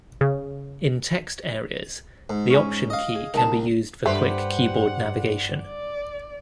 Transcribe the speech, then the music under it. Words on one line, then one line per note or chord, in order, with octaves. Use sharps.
In text areas, the Option key can be used for quick keyboard navigation.
C#3
G#2
C#4 G#5
D#5 F5
G#4
C2 D#4 A5
G2 A3 G4 B4 C5 F#5
D5